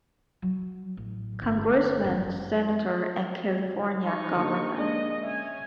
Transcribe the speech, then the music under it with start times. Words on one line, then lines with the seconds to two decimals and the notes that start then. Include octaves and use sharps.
Congressman, Senator and California governor.
0.42 F#3
0.97 A1
1.42 G1
2.04 F#2 E3
4.03 D#4 C#6
4.36 D3 A#3 G4
4.77 G#3 A#3 D4 D#5
5.23 C#4 E5 G#5